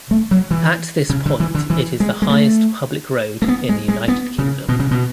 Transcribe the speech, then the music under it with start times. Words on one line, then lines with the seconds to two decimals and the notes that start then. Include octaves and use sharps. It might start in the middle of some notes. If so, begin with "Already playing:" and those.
At this point it is the highest public road in the United Kingdom.
0.11 A3
0.31 F#3
0.51 E3
1.10 C#3
1.26 D3
1.40 E3
1.55 D3
1.70 E3
2.00 G#3
2.22 G#3
2.30 A3
3.42 A3
3.48 B3
3.69 G#3
3.88 G#3
4.08 B3
4.38 C#3
4.69 B2
4.79 C#3
4.91 B2